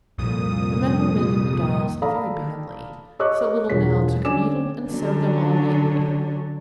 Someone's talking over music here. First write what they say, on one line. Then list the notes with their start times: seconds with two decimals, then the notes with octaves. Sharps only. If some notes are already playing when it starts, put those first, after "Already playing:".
The men were mending the dolls very badly, so little Nell took a needle and sewed them all neatly.
0.18 C2 F2 A#2 D#6
2.02 A4 D5 F5 A#5 B5 D#6
3.19 G4 C#5 D#5 C#6 D6 F#6
3.70 E1 G2 F4 G#4 C#5 B6
4.25 D3 C#4 D5 G#5 D6 E7
4.89 D3 F#3 C#4 D4